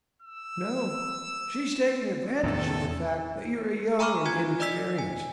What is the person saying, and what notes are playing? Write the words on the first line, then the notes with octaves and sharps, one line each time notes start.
No; she's taking advantage of the fact that you are young and inexperienced.
E6
E2 A2 D#3 A4
G#5 A#5 B5 C#6 D6 F6
F4 G#5 G#6
D5 D#5 E6 B6
G#5